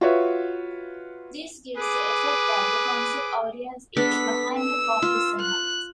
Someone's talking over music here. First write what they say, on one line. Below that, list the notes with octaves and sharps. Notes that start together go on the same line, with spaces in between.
This gives the effect that the concert audience is behind the home listener.
F4 F#4 B4 C#5 E5
G#4 B4 D6
B3 D4 A4 B6
E6
F4
F#6